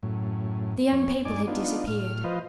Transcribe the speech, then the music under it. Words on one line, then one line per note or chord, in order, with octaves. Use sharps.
The young people had disappeared.
F#2 A2
F2 C#5
G2 D#4 D5 G#5 D6
B3 D4 D#4 F4
A2 F6
F3 F4 B4 C5 D#5